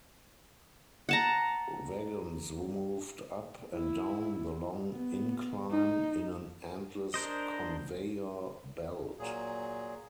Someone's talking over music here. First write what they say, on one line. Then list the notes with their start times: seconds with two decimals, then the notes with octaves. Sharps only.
Wagons moved up and down the long incline in an endless conveyor belt.
1.09 F#5 A5 A#5
3.72 E4
4.90 B3
5.71 D#4
7.14 D4 A#4 C5 D#5
9.19 A#2 F#3 G#4